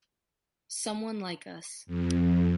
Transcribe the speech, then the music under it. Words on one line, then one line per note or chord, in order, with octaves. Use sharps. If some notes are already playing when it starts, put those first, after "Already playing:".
Someone like us.
F2